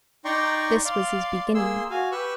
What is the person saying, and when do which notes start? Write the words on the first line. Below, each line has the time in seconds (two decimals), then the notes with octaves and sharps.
This was his beginning.
0.25 D#4 D5 G5 A#5 C6 C#6
0.85 D5 F5 C6
1.54 A#3 G#4 C6 E6
1.90 F#4 F5 G#5
2.12 G4 B4 C#6 E6 F#6